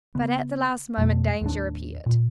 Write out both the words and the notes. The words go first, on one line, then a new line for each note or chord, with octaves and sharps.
But at the last moment danger appeared.
C#3 B3
F2 B2 G3 A3
D#2 A2 D4
A#2